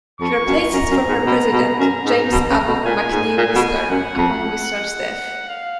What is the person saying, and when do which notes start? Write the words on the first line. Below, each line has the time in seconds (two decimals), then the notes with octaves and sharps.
He replaced its former president, James Abbott McNeill Whistler, upon Whistler's death.
0.20 F2 C#6
0.47 F#2
0.73 F#2 A#5
0.91 F#2
1.08 G#2
1.26 B2
1.52 B2
1.79 F#2 A#5
2.06 G#2
2.32 B2
2.50 C#3
2.67 B2
2.85 A#2 G#5
3.11 G#2
3.38 A#2 G#5
3.55 B2
3.90 F#2 F#5
4.17 F2
5.49 F5